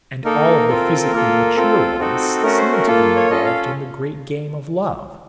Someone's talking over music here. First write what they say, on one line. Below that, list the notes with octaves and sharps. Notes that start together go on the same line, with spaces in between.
And all of the physically mature ones seem to be involved in the Great Game of Love.
A#3 D#4 A4 A#4
C4 F4 A4
A#3 F4 A4
C4 F4 A4
C4 D#4 F#4 A4
A3 C#4 F#4 A#4
C5
A#4
A#3 F4 A4
C#5
C#4 F4 A4 D#5
F5